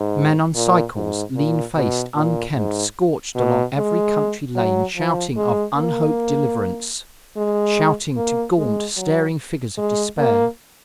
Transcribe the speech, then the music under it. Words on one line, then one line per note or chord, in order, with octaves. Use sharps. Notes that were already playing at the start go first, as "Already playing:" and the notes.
Men on cycles, lean-faced, unkempt, scorched along every country lane shouting of unhoped deliverance, shouting to gaunt, staring figures of despair.
Already playing: G#2
A#2
G#2
A#2
B2
A#2
G#2
B2
G#3
F#3
F3
G#3
A#3
G#3
A#3
G#3
F#3
G#3
A#3